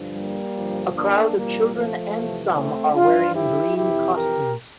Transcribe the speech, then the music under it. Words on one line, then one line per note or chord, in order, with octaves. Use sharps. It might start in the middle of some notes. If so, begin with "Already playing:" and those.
A crowd of children and some are wearing green costumes.
Already playing: G2 D3 F3
G3 A#3
G2 D3 F3
A#3 D4
C2 A#2 F3 G3 A#3
F3 A3
C2 C3 E3
A3 C4
G2 F3 D4 F4
E4 G4
F2 C3 E3 E4 G4
G4 A#4